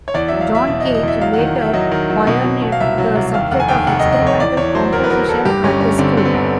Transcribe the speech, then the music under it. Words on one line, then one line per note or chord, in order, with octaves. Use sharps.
John Cage later pioneered the subject of Experimental Composition at the school.
C#5
E2 D5
F#3 E5
F5
E2
E5
B2 E5
D#5
E2
D#5
E2 E5
F#3 F5
F#5
D#3
D#3
E5
F#3 D#5
D#3
F#3
B2
F#3
B2
F5
C2 E5
F#3
C2
D#2 F5
F1 F#5
G#5
D#2 G5
F1 F#5
D#5
F1
D#5
F1
C#5
E2 D5
E2 C#5
F#3 C5
E2 A#4
B4
F#3 A#4
E2 A4
G2 G4
G1 C#4
G1 C#4
D3 C4
D3
B3
G1